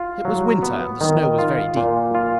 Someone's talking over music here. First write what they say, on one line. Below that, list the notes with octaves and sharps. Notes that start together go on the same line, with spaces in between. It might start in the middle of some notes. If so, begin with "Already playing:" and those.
It was winter and the snow was very deep.
Already playing: F4
F#3
B3
D#3
F4
A#2
F4